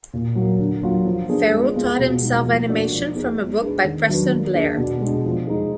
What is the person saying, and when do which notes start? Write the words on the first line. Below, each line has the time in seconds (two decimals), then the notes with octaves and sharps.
Ferro taught himself animation from a book by Preston Blair.
0.13 A#2
0.35 F#3 A#3
0.60 D3
0.83 F#3 A#3 F4
1.06 F3
1.29 B3 D4 G#4
1.52 G#3
1.75 B3 F4 G#4
1.99 B2
2.22 G#3 D#4
2.45 F3
2.69 A#3 D4 F#4 D5
2.92 F3
3.15 B3 D#4 G#4
3.39 G#3
3.61 D4 G#4 B4
3.84 D#3
4.08 F#3 D4 F#4 B4
4.31 A#3
4.54 D4 G#4 D5
4.77 B2
5.00 G#3 D4
5.25 F3
5.47 G#3 D#4 G#4